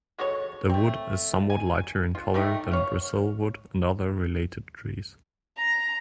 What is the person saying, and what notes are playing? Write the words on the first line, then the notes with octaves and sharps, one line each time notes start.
The wood is somewhat lighter in color than Brazilwood and other related trees.
G#3 F#4 A4 C#5
A3 C4
G#5
F4
G3 A3 D#4 G4
C#5 F5
A#5